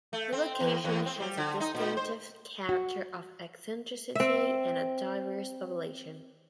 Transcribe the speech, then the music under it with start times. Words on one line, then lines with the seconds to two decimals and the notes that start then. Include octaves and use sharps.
The location has a distinctive character of eccentricity and a diverse population.
0.13 A3
0.32 C4
0.60 E2
0.84 E2
1.06 C4
1.20 G3
1.37 D3
1.60 D#4
1.75 A#2
1.97 C5
2.69 F#4
4.15 C4 E5